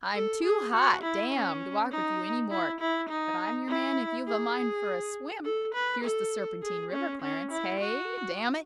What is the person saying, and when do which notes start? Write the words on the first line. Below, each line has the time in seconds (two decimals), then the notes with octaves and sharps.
"I'm too hot, damme, to walk with you any more--but I'm your man if you've a mind for a swim--here's the Serpentine river, Clarence--hey? damn it!--hey?"
0.15 A4
0.44 G#4
0.73 F#4
1.03 E4
1.33 C#4
1.91 D#4
2.50 E4
2.80 E4
3.09 D#4
3.68 E4
4.27 G#4
5.45 A4
5.75 B4
6.04 A4
6.63 G#4
6.93 C#4
7.22 C#4
7.51 E4
7.80 F#4